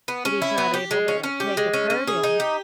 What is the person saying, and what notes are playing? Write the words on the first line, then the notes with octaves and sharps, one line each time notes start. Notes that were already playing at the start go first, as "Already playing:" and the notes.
that he's not able to, uh, take a part in.
B3
C#4
E4
B3
G4
G#3
C#4
C#4
G4
G#3
C#4
C#4
G#4
D#4
G4